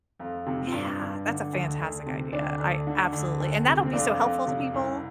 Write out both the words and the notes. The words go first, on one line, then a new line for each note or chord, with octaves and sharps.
Yeah, that's a fantastic idea, I absolutely and that'll be so helpful to people.
F2
C3
F4
G2 D4
G2
D3
D2
D2
C3
D2 D4
D2
D3
D2
D2
C3
C4
F2 D4
F2
C3
C2